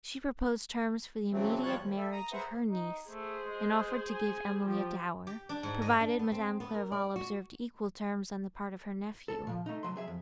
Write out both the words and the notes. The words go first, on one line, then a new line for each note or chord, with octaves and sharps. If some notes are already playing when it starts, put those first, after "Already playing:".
She proposed terms for the immediate marriage of her niece, and offered to give Emily a dower, provided Madame Clairval observed equal terms, on the part of her nephew.
C#3 E3 F#3 A3 C4
E2 F3 G3 F4 C#5 F#6
D#2
A4 E5
A#5 D#6
G#4 B4 C5 E5 F#5 A#5
D#4
A3 G#4 C5
G#3
G#5
F3 G4
G4
D4
G#2
D#5
D4
B3
C4
B3
A#4
D5
F#4
A4
A#2 F3
A3 D#4
C2 F#3 C6
F#3 G#4 E5
F2